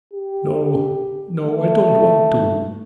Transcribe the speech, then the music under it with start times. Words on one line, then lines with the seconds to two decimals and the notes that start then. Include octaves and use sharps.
"No! no! I don't want to!"
0.13 G4
1.45 A3